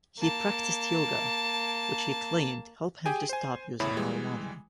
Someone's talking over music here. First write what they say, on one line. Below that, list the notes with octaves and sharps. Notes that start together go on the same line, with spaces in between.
He practiced yoga, which, he claimed, helped him to stop using marijuana.
A#3 A5
G4 G#4 G5 G#5
C5 G#5
G#1 E2 A2 E4 C#5 B5
E3 G3 G#3